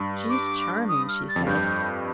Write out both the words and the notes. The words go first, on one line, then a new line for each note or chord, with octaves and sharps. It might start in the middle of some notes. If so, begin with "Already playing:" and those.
"She's charming!" she said.
Already playing: G2
D6
D#6
F6
A6
F2
G2 G6